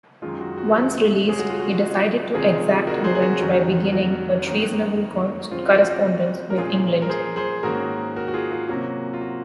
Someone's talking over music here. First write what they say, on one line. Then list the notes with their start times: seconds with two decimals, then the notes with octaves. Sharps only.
Once released he decided to exact revenge by beginning a treasonable correspondence with England.
0.22 F#2 D#3 G#3 F4
0.41 F#4
0.58 F#4
1.28 C#3 G#3 C#4 G#4
1.39 F#4
1.50 F4
1.60 F#4
2.34 C3 D#3 G#3 C4 F4 G#4
2.87 F#4 A#4
3.04 G#4 C5
3.15 G#4
3.22 F#4
3.40 F2 D#3 F#3 C#4
3.92 F#4
4.46 F#2 D#3 A#3
5.51 C#3 F3 C4 F4
5.65 F#4
5.78 F#4
5.91 F#4
6.50 A#4
6.57 A#2 F3 G#3 C#4 F4 G#4
7.02 A#4
7.10 G#4 C5
7.36 G#4 C5
7.63 G#2 D#3 A#3 C#4 F#4 A#4
8.16 F#4 A#4
8.28 F#4
8.34 F4 G#4
8.52 F4 G#4
8.69 C3 F#3 A#3 C#4 F#4
9.13 F4
9.21 F#4